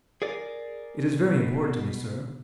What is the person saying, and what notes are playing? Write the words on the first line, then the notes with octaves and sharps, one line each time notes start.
"It is very important to me, sir."
G#4 A#4 D5
B2